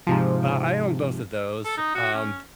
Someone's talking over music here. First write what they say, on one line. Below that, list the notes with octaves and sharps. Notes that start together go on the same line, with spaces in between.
Uh, I own both of those. Um,
G#2 C3 F3
A4
D#4
F#4
C#4